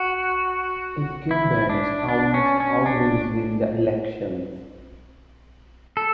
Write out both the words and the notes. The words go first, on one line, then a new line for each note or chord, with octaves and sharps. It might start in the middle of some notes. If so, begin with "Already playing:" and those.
Incumbents almost always win the elections.
Already playing: F#4
E4
D4
D4
C#4
C#4
D4
A4